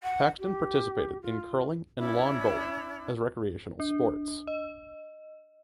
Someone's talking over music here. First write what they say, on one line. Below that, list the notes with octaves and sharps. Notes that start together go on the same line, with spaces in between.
Paxton participated in curling and lawn bowling as recreational sports.
F#5
G4
F4
C#4 D4 E4 B5
D4
D#5